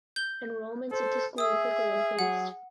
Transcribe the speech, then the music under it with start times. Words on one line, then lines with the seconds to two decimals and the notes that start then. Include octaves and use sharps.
Enrolments at the school quickly increased.
0.16 G6 G7
0.91 A4 C5
1.38 G#4 E5 D#6 E6
2.19 F#3 F#5